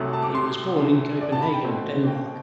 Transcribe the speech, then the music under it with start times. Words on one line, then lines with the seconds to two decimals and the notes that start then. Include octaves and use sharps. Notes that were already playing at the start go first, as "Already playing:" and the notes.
He was born in Copenhagen, Denmark.
Already playing: C2 C3 F#3 A3
0.13 A5
0.23 D6
0.35 C6
1.21 D5
1.32 A5
1.42 B5
1.54 G5
1.64 B2 A3 C4
2.07 G5